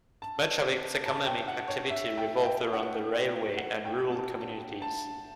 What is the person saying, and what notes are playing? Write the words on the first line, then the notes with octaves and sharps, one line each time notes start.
Much of its economic activity revolved around the railway and rural communities.
A5
A5
G5
F#5
C#5
E5
G5
G5
F#5
F#5
G5
A5
A5
A5